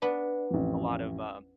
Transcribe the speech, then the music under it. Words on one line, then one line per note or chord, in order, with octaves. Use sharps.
a lot of uh,
B3 D4
A1 F2